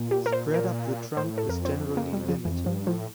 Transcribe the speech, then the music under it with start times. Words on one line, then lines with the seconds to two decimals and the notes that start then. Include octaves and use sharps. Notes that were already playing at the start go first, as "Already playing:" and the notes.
Spread up the trunk is generally limited.
Already playing: A#2
0.11 G4
0.26 A#4
0.32 C5
0.54 A#4
1.17 A2 C5
1.38 A4
1.49 F2 A#4
1.65 C4
1.97 A#3
2.13 G3
2.29 F3
2.45 F2 E3
2.66 G2 F3
2.87 A2 F3